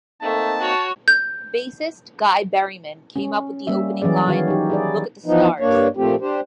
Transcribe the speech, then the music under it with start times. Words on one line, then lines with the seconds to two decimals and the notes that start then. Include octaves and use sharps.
Bassist Guy Berryman came up with the opening line "Look at the stars".
0.22 A3 A#3 C4 D#4 A5
0.61 F#4 C#5
1.08 G6
3.16 C#4
3.67 G3 A#3 C#4 E5
4.02 E3 F#3 C#4 G#4 D5
4.27 D#3 F#4 C#5 F5
4.48 D#4 G4
4.70 E4 G#4 D5
5.26 E3 F3 B3 D#4
5.60 G2 A#3 D4 C#5
5.97 A#2 F3 A3 C4 G4
6.21 D4 G4 C5